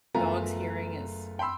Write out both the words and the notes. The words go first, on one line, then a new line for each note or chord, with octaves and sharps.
dog's hearing is
F#1 A3 B3 F4 G#5 A#5
G5 B5 C6 E6